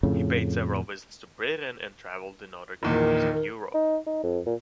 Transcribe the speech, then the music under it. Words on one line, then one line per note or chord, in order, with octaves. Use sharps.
He paid several visits to Britain and travelled in other countries of Europe.
F2 A2 C#3
A#1 E2 A#2 D#3 A#4
D#4
D#4
F2
A#2